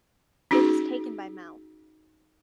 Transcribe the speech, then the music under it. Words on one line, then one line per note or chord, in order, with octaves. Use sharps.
It is taken by mouth.
C#4 D#4 F#4 G#4